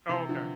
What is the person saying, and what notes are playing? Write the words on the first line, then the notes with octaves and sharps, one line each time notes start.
Oh, okay.
C3 E3
D3 F3